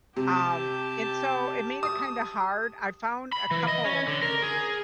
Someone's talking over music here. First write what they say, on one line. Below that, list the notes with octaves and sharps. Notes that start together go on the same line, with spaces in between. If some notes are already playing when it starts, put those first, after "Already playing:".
um, and so it made it kinda hard. I found a couple
C3 G4 A5
D#6
B5
E3
D#5
C#4
D3
A#4
G#4